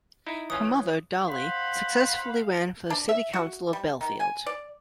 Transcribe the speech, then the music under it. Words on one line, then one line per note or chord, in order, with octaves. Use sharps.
Her mother Dolly successfully ran for city council of Bellefield.
D#4 E4
E3 C#4 F4 D#6
C5 F5 F#5 B5
D4
E5
F#4
G3
D#3
G#5
D5